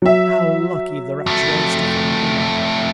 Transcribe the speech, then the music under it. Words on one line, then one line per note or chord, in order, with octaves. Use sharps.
How lucky the wretch was to find me out!
F#3 E5
F2 A3